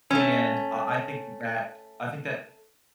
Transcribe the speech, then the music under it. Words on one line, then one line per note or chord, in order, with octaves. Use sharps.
and uh, I think that I think that
A3 C#4